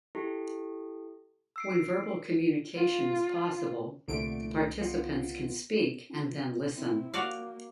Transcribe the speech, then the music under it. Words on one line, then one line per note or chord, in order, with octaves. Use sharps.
When verbal communication is possible, the participants can speak and then listen.
E4 G4 A4
E6 C7 D7
F4
C2 A#2 D3 A3 D7
B3 F4
C4 E4
A#3 F#4 D5 F5